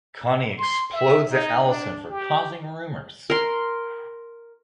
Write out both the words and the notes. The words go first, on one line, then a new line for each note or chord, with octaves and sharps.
Connie explodes at Allison for causing rumors.
C6
E5
D#4
D4
G4
A#4 C6